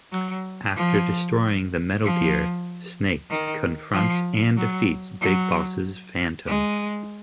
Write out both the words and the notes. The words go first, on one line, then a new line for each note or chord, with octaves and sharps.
After destroying the Metal Gear, Snake confronts and defeats Big Boss's phantom.
F#3
F3
F3
D#3
F3
F#3
F#3
G#3